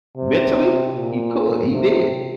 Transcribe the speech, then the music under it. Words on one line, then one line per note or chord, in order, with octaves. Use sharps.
mentally, he could, he did
C3
A#2
C3